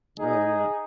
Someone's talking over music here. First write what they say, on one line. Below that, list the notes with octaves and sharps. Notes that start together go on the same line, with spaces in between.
Oh, yeah.
D#4 G#4